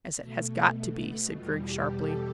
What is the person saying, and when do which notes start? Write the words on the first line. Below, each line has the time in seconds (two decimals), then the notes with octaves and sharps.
"As it has got to be," said Griggs sharply.
0.19 B2 A3
1.36 E2 B2 G3 F4
1.66 G4
1.96 A4